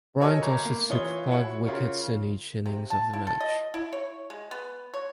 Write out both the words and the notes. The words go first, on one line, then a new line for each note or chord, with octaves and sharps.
Bryant also took five wickets in each innings of the match.
F#4 A4 A#4 C#5 D#5 G#5
G1 A#5 C#6 G#6
A#3
E3 F4 C#5 D#6 G7
E4 F#4 C#5 F#5
C#3 F4 A#4 C#5
C3
A5
E4
A4
D#5
E4
C#5
G#3
B3
C#5